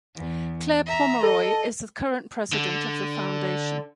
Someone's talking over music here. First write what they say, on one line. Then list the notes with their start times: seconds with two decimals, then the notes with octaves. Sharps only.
Claire Pomeroy is the current President of the Foundation.
0.15 E2
0.86 E5 A#5
1.23 A4 D#5
2.53 D3